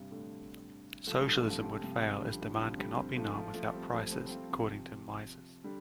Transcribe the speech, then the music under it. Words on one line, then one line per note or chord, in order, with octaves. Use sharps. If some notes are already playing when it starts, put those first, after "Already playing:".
Socialism would fail as demand cannot be known without prices, according to Mises.
Already playing: G2 C3
A2 D3
F3 A3
D3 G3
F3 A3
C3 F3
C3 F3
G2 C3
D3 G3
F3
A2 D3
C3 F3
D3 G3
G3 C4
F3 A3
F3 A3
F3 A3
G3 C4
F3 A3
G3 C4
C4
F3 A3
C3 F3
D3 G3